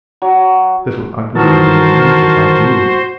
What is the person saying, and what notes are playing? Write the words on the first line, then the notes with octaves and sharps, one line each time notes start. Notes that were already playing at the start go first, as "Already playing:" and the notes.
Little Ugly will be amused, if I do.
F#3
D#3 E3 F#4 A#4 C5 A5